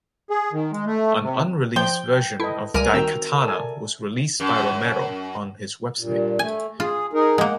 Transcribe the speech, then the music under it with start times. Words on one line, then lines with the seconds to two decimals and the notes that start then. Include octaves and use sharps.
An unreleased version of "Daikatana" was released by Romero on his website.
0.30 G#4
0.53 D#3
0.72 G#3
0.86 A3
1.22 C3
1.76 F3 C5 G5 C6
2.40 E4 A4 B4 D#5
2.74 C#2 G3 A#4 G#5
2.94 D#3 C4 F#4 G5 E6
3.44 A4 D5 G#5
4.40 F#2
5.99 G2 A#2
6.39 A3 G#5
6.80 F4 G#4
7.13 D#4 G#4 A#4
7.38 G#3 A#3 F#5